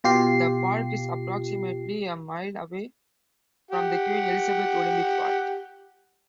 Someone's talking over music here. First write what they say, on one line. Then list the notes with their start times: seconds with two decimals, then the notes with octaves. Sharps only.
The park is approximately a mile away from the Queen Elizabeth Olympic Park.
0.04 B2 F4 G4 C7
3.71 G4 F#5